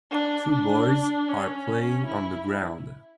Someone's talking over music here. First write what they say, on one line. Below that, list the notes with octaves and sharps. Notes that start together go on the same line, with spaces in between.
Two boys are playing on the ground.
D4
D4
C#4
E4